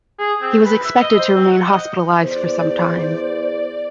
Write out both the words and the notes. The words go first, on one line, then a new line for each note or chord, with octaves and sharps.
He was expected to remain hospitalised for some time.
G#4
C4
B4
E5
D#5
C5
C4
F#5
D#5
E2 C5 D5